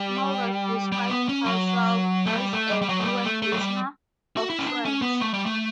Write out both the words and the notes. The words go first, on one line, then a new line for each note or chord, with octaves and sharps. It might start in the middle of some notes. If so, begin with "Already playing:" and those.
Smulders describes herself as "a fluent listener" of French.
Already playing: G3
G3
B3
C#4
F#3
A3
G3
A3
G3
G3
F#3
A3
G3
A3
A3
F#3
G3
F#4
E4
C#4
D4
C#4
B3
A3
G3
A3